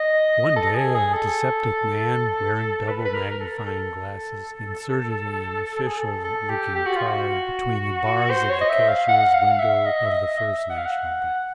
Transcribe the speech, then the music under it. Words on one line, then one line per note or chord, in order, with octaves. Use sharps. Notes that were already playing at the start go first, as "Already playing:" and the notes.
One day a dyspeptic man, wearing double-magnifying glasses, inserted an official-looking card between the bars of the cashier's window of the First National Bank.
Already playing: D#5
A4
G#4
G#4
A4
B4
B4
A#4
A#4
A4
A#4
A4
G#4
A4
A4
G4
G4
F#4
F4
F#4
C5
C#5
D#5
E5
F5
F#5
F5
F#5
F5
E5
D#5
E5
D#5
E5
F#5
F5
F#5